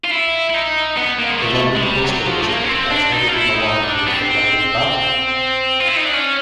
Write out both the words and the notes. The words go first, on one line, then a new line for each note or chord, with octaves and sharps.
The London postal district has never been aligned with the London boundary.
F4
E4
E4
D#4
B3
A#3
G#3
A3
G#3
G3
F#3
F3
A3
A#3
C#4
C4
D4
D#4
F4
E4
D#4
D4
B3
C4
F4
E4
D#4
D4
C#4